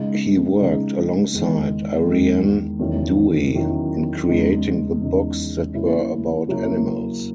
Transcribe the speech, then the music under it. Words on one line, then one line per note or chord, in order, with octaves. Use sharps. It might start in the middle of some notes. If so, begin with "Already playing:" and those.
He worked alongside Ariane Dewey in creating the books that were about animals.
Already playing: C#3 G#3 D#4
C#3 G#3 D#4
E2 D#3 G#3
E2 D#3 G#3
E2 D#3 F#3 C#4 E4
E2 D#3 F#3 C#4 E4
E2 C#3 G#3 D#4
E2 C#3 G#3 D#4
C#3 F#3 A#3 C#4 E4
C#3 F#3 A#3 C#4 E4